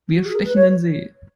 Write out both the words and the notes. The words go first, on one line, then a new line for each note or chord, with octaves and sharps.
Wir stechen in See!
F#4
G#4
A#4
B4
C#5